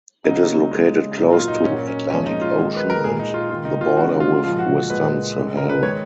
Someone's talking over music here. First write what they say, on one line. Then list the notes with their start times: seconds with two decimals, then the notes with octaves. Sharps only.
It is located close to Atlantic Ocean and the border with Western Sahara.
0.24 C#3 F#3 A#3 D#4
0.71 C#3 G#3
1.17 A#2 F#3 A#3 D#4
1.33 F4
1.48 D#4
1.64 A#2 F#3 A#3 C#4
1.88 C#4
2.10 A#2 F3 G#3 C#4
2.26 D#4
2.41 F4
2.58 D#3 G#3
2.76 B4
2.90 A#4
3.04 A#2 G#4
3.07 G#3
3.20 D#4
3.34 F4
3.50 A#3 F4
3.53 D#3
3.65 D#4
3.81 F4
3.96 G#3 F#4
4.01 C#3
4.20 F4
4.43 A#2 F3 G#3 F4
4.58 F#4
4.90 A#2 G#3 B4
5.36 C#3 G#3
5.57 A#4
5.69 B4
5.83 D#3 G#3 C#5